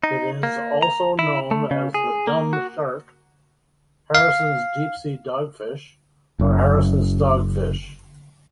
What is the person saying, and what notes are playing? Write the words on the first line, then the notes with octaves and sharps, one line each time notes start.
It is also known as the dumb shark, Harrison's deep-sea dogfish, or Harrison's dogfish.
D#4
A#3
A#5
E4
A3
C#3
G#4
A#3
F#4
F5
F#1 F#2